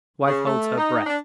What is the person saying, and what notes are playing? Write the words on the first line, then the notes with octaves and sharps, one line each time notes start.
Wife holds her breath.
C#3
A3
D#4
D4